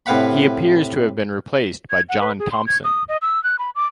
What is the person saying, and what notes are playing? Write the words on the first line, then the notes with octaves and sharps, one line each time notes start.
He appears to have been replaced by John Thompson.
A2 C3 B4 F5 F#5 B5
G#6
F#5
B4
G#4
C6
G#6
D#6
D#5
E6
F#6
B5
D6